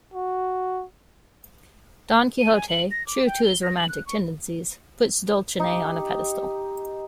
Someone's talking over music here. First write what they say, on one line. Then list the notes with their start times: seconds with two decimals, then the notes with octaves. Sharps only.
Don Quixote, true to his romantic tendencies, puts Dulcinea on a pedestal.
0.14 F#4
2.39 D#7
2.53 G#5
2.69 F#7
2.91 A#6
3.07 D6
3.26 G5
3.45 G7
3.63 A#6
3.77 F#7
3.89 F#6
4.06 C#6
5.60 D#4 G4